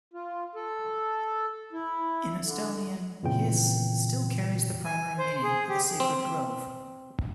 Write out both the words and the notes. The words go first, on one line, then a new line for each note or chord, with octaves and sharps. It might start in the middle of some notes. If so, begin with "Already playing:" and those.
In Estonian, "hiis" still carries the primary meaning of a sacred grove.
F4
A4
E4
D3
F2 A#2 C#3 E3 G5
G#5
C5
G#4
G4
C4